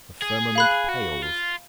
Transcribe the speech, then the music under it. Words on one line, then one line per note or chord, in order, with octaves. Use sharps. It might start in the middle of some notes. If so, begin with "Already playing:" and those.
The firmament pales.
G#4
F5 B5 F#6
F#4
F4